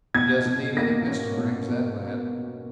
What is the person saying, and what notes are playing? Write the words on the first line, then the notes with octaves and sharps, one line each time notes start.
He doesn't need any piston rings, that lad.
B2 G#6
B2
A#3 A#6
C#4
B2
B2